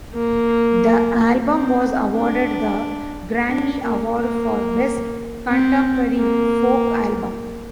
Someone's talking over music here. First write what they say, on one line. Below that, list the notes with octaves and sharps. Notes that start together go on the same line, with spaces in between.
The album was awarded the Grammy Award for Best Contemporary Folk Album.
A#3
C4
D4
D4
A#3
A#3
C4
A#3